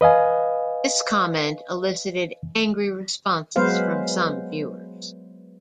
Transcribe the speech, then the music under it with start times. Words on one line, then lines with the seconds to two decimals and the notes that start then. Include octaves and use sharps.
This comment elicited angry responses from some viewers.
0.01 B4 D#5 F5 G#5
3.56 F#3 G#3 B3 B4 C5 F5